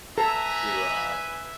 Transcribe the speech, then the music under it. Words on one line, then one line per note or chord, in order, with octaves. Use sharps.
to, uh,
A4 B4 E5 G#5 A#5